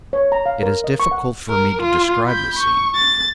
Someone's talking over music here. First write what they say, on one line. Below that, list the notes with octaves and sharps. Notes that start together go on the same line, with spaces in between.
It is difficult for me to describe the scene.
C#5
A#5
F5
A#4
D#5
C#6
F#5
A#4
F4
B5 G6
C#6
A6